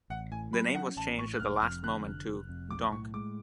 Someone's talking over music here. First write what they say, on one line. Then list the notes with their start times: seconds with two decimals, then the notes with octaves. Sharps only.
The name was changed at the last moment to "Donk".
0.10 A1 F#5
0.32 A2 G#5
0.53 F#3 B5
0.75 C#4 F#5
0.96 A1 A5
1.18 A2 C#6
1.34 F#6
1.40 F1 F6
1.62 F2 F6
1.84 D3 F#6
2.05 F1
2.27 F1
2.49 F2
2.70 B1 D6
2.92 A2 C#6
3.14 G#3 D6